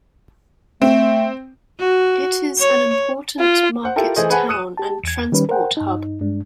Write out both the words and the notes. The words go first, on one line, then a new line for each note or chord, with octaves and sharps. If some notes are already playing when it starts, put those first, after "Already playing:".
It is an important market town and transport hub.
A3 C4
F#4
C#5
F4
C5 F#5
E4 F4 G4 A4 A#4 G5
E3 A3 G#4 C5 D#5
G#4 B4 C5 F#5 G#5 A5
D#6 F#6 C#7 D#7 E7
G4 A5
E2 G#6
D#3 G3 C#4 B4
A#4 C5 F#5 G5
G2 D#4
G2 G#3 D4